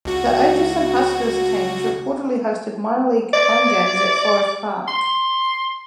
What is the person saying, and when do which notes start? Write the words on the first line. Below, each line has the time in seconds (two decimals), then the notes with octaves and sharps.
The Atchison Huskers teams reportedly hosted minor league home games at Forest Park.
0.05 C#2 F#4
3.33 D5
4.88 C6